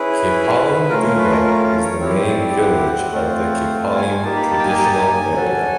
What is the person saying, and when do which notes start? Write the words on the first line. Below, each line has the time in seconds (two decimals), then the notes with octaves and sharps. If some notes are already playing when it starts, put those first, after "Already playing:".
Kpalime Duga is the main village of the Kpalime Traditional Area.
Already playing: C#4 E4 G#4 B4
0.89 A3 C#4 F4 A#4
1.07 A#4
1.17 B4
1.31 A#4
1.45 A#4
1.82 C#5
2.00 C4 E4 G4 C#5
2.28 D5
2.56 F#5
3.12 A3 C4 F4
3.95 G#5
4.22 A#3 D#4 G4 A5
4.36 B5
4.51 A5
4.59 G5
4.64 G#5
4.78 G#5
4.85 A5
4.92 G#5
5.34 C#4 F#4 A4